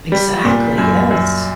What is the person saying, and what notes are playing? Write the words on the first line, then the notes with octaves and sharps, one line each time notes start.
Exactly, yes.
G3
A#2
F#2
F#2